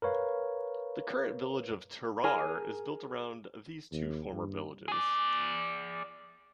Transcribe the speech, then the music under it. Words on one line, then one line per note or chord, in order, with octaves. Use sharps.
The current village of Ter Aar is built around these two former villages.
A#4 B4 C#5 F5
G#4 A#4 G#5
D#2
G2
G#4 D5